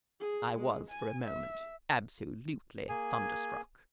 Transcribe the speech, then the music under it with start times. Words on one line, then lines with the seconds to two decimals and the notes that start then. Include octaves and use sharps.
I was for a moment absolutely thunderstruck.
0.20 G#4
0.58 G#3
0.90 G#5
1.24 E5
2.89 A#3 G#4 G#5